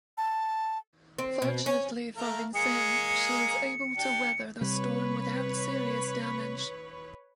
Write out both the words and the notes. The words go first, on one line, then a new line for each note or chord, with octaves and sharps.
Fortunately for "Vincennes", she was able to weather the storm without serious damage.
A5
C4
B2
C#4
A3 A#3 A#4
G#3 A#3 G#4 C#7
D4 G4
C3 G3 B4 C#5